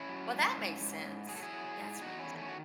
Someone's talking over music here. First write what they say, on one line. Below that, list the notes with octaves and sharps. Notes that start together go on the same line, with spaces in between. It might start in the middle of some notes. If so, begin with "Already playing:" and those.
Well, that makes sense. That explains it.
Already playing: C#4 E4
F#3
G#2
G#2
G#2
G#2
F#3 G#4
A4
E4 G#4
F#3
G#2
E2 D#4 F#4
C#4 E4
D#3
A3 C#4
F#4